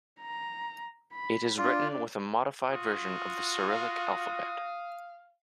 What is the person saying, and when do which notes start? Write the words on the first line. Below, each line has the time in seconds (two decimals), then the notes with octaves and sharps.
It is written with a modified version of the Cyrillic alphabet.
0.21 A#5
1.13 B5
1.58 D4 F4 D5
2.72 F4 F#4 D#6
3.70 F5